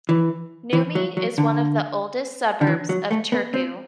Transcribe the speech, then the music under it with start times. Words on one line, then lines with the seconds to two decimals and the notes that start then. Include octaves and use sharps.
Nummi is one of the oldest suburbs of Turku.
0.09 E3
0.73 E3
0.95 F#3
1.17 F#3
1.38 D3
2.61 D3
2.67 E3
2.89 F#3
3.11 A3
3.32 B3
3.54 C4